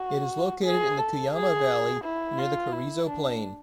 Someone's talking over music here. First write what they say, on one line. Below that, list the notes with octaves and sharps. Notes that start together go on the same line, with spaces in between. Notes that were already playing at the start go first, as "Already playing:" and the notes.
It is located in the Cuyama Valley, near the Carrizo Plain.
Already playing: F#4
G#4
A4
G#4
E4
F4
E4
D4